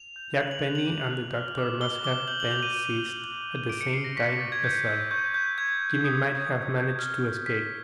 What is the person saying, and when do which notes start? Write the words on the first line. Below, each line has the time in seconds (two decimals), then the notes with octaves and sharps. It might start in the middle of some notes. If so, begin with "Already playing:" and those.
Jack Penny and the doctor must have been seized at the same time as I. Jimmy might have managed to escape.
Already playing: F7
0.16 G6
0.39 F#6 F#7
0.51 F#7
0.63 F#6 F7
0.75 F#7
0.86 D6 F#7
1.10 F#6
1.33 F6
1.58 D6
1.81 D6 G7
2.04 D6 G7
2.27 G6 F#7
2.40 F#7
2.51 G6 F7
2.63 D#7
2.75 G6
2.99 G6
3.22 F#6
3.46 D6
3.69 D6 D7
3.81 C#7
3.93 D6 C7
4.04 A#6
4.16 C#6 B6
4.28 A#6
4.40 C#6 A6
4.52 G#6
4.64 G6
4.75 G#6
4.87 E6 G6
5.11 C#6 G6
5.34 F#6 G6
5.58 C#6 G#6
5.81 F#6
6.04 D#6
6.28 G6
6.53 D#6
6.76 G6
6.99 F6
7.23 F6
7.46 F6 B6